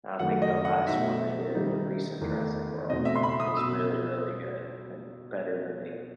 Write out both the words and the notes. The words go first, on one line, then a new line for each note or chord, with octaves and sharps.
I think the last one they did, the recent Jurassic World, was really, really good and better than the
F#2 D#3 F#3 A3 F#5
D#5
F#5
B2 A3 D#4 E5
D#3 G3 D#4
E2 D#3 A3
E2 B2 A3 C4 D#4 D#5
E5
C6
B5
D#6
B2 E6